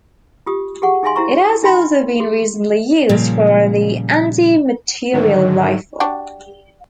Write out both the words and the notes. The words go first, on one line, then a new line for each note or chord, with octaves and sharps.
It has also been recently used for the anti-materiel rifle.
F4 G4 D#6
G4 G#4 F#5 C#6
D#4 G#4 E5 F5 G#5 C6
E4 F#4 C5 E5 A#5 C#6
D#4 E5 G5 B5 C6
F#4 G#4
A#2 C#3 F3 G3
G#2 D3 D#3 F#3
D4 F#4 G4